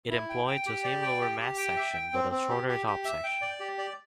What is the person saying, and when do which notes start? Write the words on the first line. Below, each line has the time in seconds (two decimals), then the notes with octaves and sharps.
It employed the same lower mast section, but a shorter top section.
0.10 E4
0.29 G5
0.47 G5
0.66 G4
0.84 D5
1.02 G5
1.21 G4
1.40 G4
1.58 G5
1.76 E5
1.94 G5
2.13 C4
2.32 C4
2.50 G4
2.68 G4
2.87 G4
3.05 E5
3.24 G5
3.41 D5
3.60 G4
3.78 D5